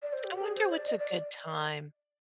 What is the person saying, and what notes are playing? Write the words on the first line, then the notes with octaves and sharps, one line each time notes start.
I wonder what's a good time
D5
C5
G4
G4
G#4
C5
D5
D#5
D5